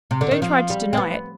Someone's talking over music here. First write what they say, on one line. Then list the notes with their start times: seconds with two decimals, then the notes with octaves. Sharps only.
Don't try to deny it.
0.11 C3
0.21 D3
0.31 D#3
0.42 F3
0.70 G3
0.93 C4
0.97 B3